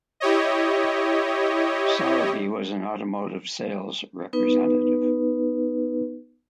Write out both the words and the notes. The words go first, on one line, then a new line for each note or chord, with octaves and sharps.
Sowerby was an automotive sales representative.
E4 G4 C#5 D#5
B3 D#4 B4